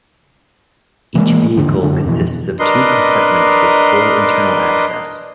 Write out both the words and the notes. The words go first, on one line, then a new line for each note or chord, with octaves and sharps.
Each vehicle consists of two compartments with full internal access.
E3 G#3 A#3
E2 G#2 D3
F#2 D3
F2 B2 E3
D4 A#4 B4 D#5 C6